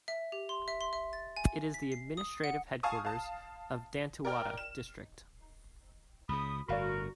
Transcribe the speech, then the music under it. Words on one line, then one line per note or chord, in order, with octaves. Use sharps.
It is the administrative headquarters of Dantewada District.
E5
G4
C6
E5
C6
E5
A6
G#5
B6
C7
D#6
F#5
F5 G#5 A5 C#6 D#6
F5 A5
A#4 D5 G5 F6
E7
C#2 C#3 B5 D#6
G1 A2 F#4 A#4 D5 F5 B5